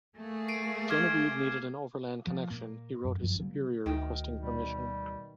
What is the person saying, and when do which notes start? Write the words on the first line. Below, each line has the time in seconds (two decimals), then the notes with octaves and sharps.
Genevieve needed an overland connection, he wrote his superior requesting permission.
0.15 A3 A#3 G#4
0.48 C7 D7 D#7
0.89 D6 F6 G#6
2.27 F3
2.50 A#2 A#3
3.04 F#2
3.20 G1 F#2 F3
3.40 C#3 F#3 G3 A#3
3.86 D2 D#3
4.40 B2 G3